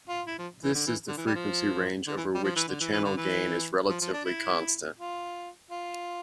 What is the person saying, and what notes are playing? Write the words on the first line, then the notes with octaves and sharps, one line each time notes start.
This is the frequency range over which the channel gain is relatively constant.
F4
E4
F3
E3
D3
E3
D3
E3
G3
F3
D3
E3
G3
F3
E3
D3
E3
E3
D3
E3
F3
F3
D4
E4
F4
F4